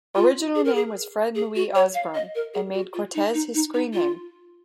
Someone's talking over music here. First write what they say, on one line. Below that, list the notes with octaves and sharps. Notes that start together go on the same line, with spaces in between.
Original name was Fred Louis Osburn, and made Cortes his screen name.
F4
G#4
A#4
G#4
G#4
F#4
C#5
F5
D#5
A#4
G#4
F#4
F4
D#4
D#4
D#4
D#4
F4